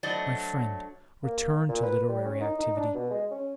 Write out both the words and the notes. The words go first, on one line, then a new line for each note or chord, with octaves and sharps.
My friend, return to literary activity!
F#3 A3 D4 C5 D5 D#5
A#3
A#2
B4
G3
C#4
D#4
D#4
D4
B2
G#3
C#4